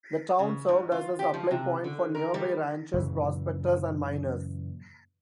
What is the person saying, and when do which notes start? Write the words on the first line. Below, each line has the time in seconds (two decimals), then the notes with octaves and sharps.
The town served as a supply point for nearby ranchers, prospectors, and miners.
0.39 C#3
0.69 G#2
0.92 F4
1.19 G4
1.34 F3
1.51 C3
1.84 D3
2.15 A#4
2.34 G3
2.94 F#2 A#2 C#3 E3